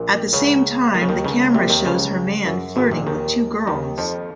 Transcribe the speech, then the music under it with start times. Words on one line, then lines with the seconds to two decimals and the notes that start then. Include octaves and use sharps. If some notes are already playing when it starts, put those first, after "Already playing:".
At the same time the camera shows her man flirting with two girls.
Already playing: A#1 A#2
0.33 C#2 C#3
0.94 D#3
1.01 C#3
1.09 D#2 D#3
1.24 C#2 C#3
1.54 C2 C3
1.70 D#2 D#3
1.85 C#2 C#3
2.46 F#2
2.76 G#1 G#2
2.91 A#1 A#2
3.07 D#2 D#3
3.67 D#2 D#3
3.98 F2 F3